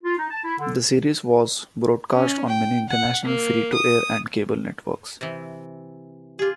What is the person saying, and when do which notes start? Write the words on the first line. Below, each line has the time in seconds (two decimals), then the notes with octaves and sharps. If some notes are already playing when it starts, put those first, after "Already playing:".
The series was broadcast on many international free-to-air and cable networks.
0.04 F4
0.17 D#4
0.30 A5
0.44 E4
0.58 D3
2.13 C#4
2.48 G5
2.89 F#5
3.25 A#3
3.74 D#6
5.21 C3 E3
6.39 F4 G4 G#4